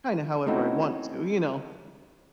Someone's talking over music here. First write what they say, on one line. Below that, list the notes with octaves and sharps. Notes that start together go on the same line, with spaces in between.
kinda however I want to, you know,
A3 C4 C#4 D#4 E4 F#4